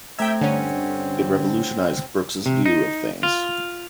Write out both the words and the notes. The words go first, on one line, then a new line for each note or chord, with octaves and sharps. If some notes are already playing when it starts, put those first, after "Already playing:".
It revolutionized Brooks's view of things.
A3 C4 E5 G5 A#5 G#6
G2 D3 C#4 C#5 F#5 G#5
C3
D#4
F4